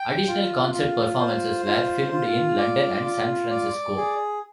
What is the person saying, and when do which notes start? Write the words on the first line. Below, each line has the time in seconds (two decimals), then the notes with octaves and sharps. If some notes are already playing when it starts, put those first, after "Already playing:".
Additional concert performances were filmed in London and San Francisco.
Already playing: G5
0.27 F4
0.73 F4
1.20 C5
1.66 F4
2.12 F4
2.58 D5
3.04 F4
3.50 D5
3.96 G#4